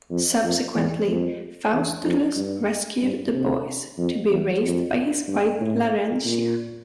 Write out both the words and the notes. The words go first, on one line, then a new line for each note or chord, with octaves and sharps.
Subsequently Faustulus rescued the boys, to be raised by his wife Larentia.
F2
F2
E2
F2
E2
F2
G2
G2
C3
F2
E2
F2
G2
A2
A#2